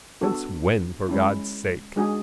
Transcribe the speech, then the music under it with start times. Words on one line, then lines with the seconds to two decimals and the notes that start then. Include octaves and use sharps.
Since when, for God' sake?
0.21 B3 D4 F#4 A4
1.09 G#3 C#4 E4
1.96 G#3 D4 F#4 G#4